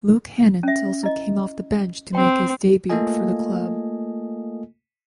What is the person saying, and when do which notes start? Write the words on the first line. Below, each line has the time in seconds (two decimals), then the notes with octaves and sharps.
Luke Hannant also came off the bench to make his debut for the club.
0.63 C#4 E5
1.03 E4 D#5
2.15 C4 G5
2.90 A3 A#3 F4 A4 D#5 G#5